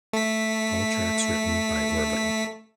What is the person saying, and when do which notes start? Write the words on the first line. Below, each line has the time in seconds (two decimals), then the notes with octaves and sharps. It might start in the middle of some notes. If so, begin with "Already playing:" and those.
All tracks written by Orbital.
0.13 A3 B6